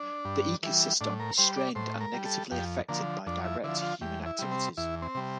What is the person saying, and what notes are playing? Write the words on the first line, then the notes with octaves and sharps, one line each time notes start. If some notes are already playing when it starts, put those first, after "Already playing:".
The ecosystem is strained and negatively affected by direct human activities.
Already playing: D4
G2
E3 G3
A2 D4
A#4
G3 C5
D5
A2 C5
A#4
G3
A4
F2 G4
D3 F3 A#3
F2 D4
E4
D3 F3 E4
F4
E2 G4
E4
C3 G3
C4
E2 E4
C4
C3 G3